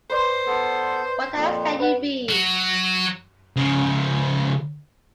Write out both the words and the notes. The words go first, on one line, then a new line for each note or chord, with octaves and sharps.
What else can you be?
B4 C5 D5 C6
B3 A4
F2 A#2
B4 F#5
F#3
C#3 F3